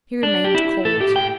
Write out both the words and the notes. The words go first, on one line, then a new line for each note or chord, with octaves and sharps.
He remained cold.
D4
G4
E4
A2 A3 A4
G4
G5